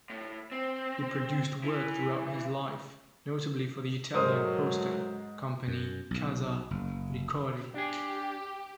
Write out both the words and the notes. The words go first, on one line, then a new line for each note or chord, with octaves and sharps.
He produced work throughout his life, notably for the Italian poster company Casa Ricordi.
A2
C4
E3
G#2 F#3 G#3 A3 A#4 C5 D#6
F#2
B1
F#1
D4 G4 G#4